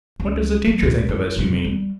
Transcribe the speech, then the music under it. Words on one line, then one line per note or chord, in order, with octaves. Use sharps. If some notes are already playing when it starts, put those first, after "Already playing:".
"What does the teacher think of us, you mean?"
C#2
F#3 A3
D2
E4
C3 F#3
G3